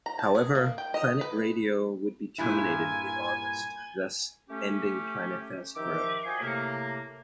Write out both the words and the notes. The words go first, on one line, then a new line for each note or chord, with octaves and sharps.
However, Planet Radio would be terminated in August thus ending Planetfest forever.
A#5
A5
G#4
A#3
G5
D#5
B4
G2 A#2 E4 G#5
A3 C#4 G4
D#3 F3 D#4 G4 E5 D6
F4 F#4 C5 D#5 G5 G#5
A2 C3 A3 A#3